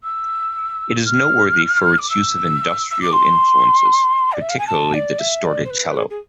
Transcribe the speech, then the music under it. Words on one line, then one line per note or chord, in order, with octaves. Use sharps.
It is noteworthy for its use of industrial influences, particularly the distorted cello.
E6
F6
D6
E6
E6
D6
C6
D5
E5
F5
G#5
A5
D5
E5
D5
C5
B4
G#4
G#4